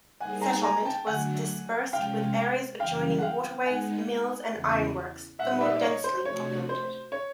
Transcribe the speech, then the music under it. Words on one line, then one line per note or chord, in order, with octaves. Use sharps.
Settlement was disbursed, with areas adjoining waterways, mills, and ironworks, the more densely populated.
G3 A#3 D#4 G#4 C5 F#5 G#5
G#5 A#5
G#5 A#5
G5 A5
D3 F#3 A3 D4 F#5 G#5
C3 F3 G#3 C#4 F5 G5
F#2 C#3 E3 G3 F5 G5
F#5
F5 G5
G#3 B3 D#4 F#5 G#5
E2 C#3 E3
A#2 G3 A#3 D#4 G4 E5 F#5
D5 E5
D5
C#5 D#5
C5
C3 F3 A3 D4 F#4 C#5
C5
C#5